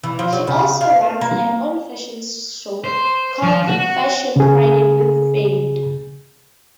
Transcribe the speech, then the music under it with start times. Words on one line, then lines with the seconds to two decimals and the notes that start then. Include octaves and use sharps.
She also runs her own fashion show called Fashion Friday with Fade.
0.04 E3
0.19 F3
0.33 F#3
0.47 C#3
0.81 F5
1.21 A#3
2.84 C5
3.43 F3
3.67 F#4
4.36 C#3 G#4